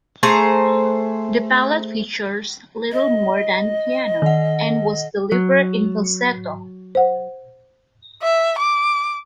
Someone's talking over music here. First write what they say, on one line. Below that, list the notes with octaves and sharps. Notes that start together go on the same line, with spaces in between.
The ballad features little more than piano, and was delivered in falsetto.
A3 G#4 C5 A#5
D#5
D#3 F#5
F#3
C5 F#5
E5
D6